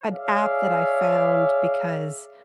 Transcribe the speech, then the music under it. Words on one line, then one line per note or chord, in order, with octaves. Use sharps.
an app that I found because
G#4 C#5 D5 E5 F5